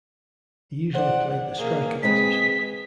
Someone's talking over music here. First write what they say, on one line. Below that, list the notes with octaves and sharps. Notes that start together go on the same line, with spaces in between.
He usually played the striker position.
C5 D5 F#5
A#3 G#4
G#3 C4 G#4 B4 B6